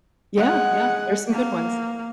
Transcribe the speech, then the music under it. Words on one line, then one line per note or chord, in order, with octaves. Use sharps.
Yeah. Yeah. There's some good ones.
G#3 F#5
A#3